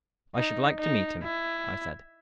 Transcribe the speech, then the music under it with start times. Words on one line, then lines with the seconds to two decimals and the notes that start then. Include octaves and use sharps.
"I should like to meet him," I said.
0.36 D#4
0.80 D#4
1.23 E4